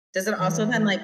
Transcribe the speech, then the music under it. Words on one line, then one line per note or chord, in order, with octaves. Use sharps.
does it also then, like
E3